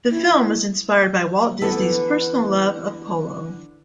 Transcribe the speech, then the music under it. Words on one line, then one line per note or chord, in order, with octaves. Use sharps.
The film was inspired by Walt Disney's personal love of polo.
E4
D3 E3 B3 A4